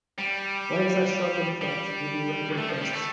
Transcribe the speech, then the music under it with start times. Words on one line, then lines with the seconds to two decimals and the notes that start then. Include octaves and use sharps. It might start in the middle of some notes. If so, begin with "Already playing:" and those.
Legs are short and flat with irregular crests.
0.19 G3
1.62 G3
2.57 A3
2.69 F3
2.81 G3
2.93 A3